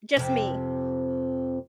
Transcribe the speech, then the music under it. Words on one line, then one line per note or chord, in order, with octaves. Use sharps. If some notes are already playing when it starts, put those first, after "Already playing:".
just me.
F2 C3